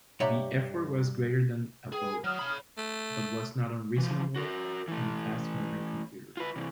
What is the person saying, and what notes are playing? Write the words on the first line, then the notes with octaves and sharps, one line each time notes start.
The effort was greater than above, but was not unreasonable on fast modern computers.
G2 G4 C#5 E5 F#5 A#5
G#4 B4 G5
A#4 G#5
F#3 D#6 F6
C#5 B5
A3
E3 F3
F#4 A#4
E3 A3
F4 B4
C3 E3